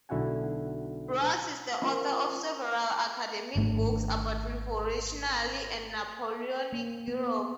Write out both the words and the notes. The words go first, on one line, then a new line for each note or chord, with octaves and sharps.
Broers is the author of several academic books about revolutionary and Napoleonic Europe.
B1 D3 E4 F#4 F#5 G#5
C#4 F4 A#4 C5
G#1 G#2 A3 D4
A#3
B3